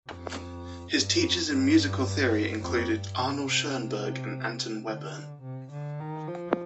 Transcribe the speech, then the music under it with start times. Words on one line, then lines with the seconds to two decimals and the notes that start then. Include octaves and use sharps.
His teachers in musical theory included Arnold Schoenberg and Anton Webern.
0.08 F2
0.92 G2
1.21 F2
1.48 G2
2.61 F2
2.90 G2
3.18 C3
3.46 C3
4.86 D3
5.42 C3
5.71 D3
6.00 D#3
6.27 F3